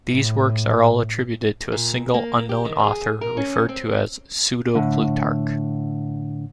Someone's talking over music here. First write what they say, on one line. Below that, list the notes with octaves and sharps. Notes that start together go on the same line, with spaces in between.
These works are all attributed to a single, unknown author, referred to as "Pseudo-Plutarch".
A2
A#2
A#3
G4
D#3
G#4
A#4
C#4
C4
A2 D3